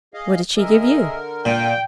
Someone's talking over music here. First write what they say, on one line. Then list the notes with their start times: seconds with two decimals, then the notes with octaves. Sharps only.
'What did she give you?'
0.14 G#4 D#5 F5
0.57 D3 G#4 A#4 D#5 E5
1.45 A#2 G5